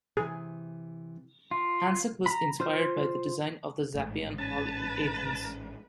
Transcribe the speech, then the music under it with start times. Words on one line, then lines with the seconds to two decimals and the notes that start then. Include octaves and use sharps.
Hansen was inspired by the design of the Zappeion hall in Athens.
0.17 C3 E3 G#4
1.51 F4
2.26 A#5 B5
2.60 F4 C5 F6 G6
3.95 A1 G#2 A3
4.38 C#4 B4 A5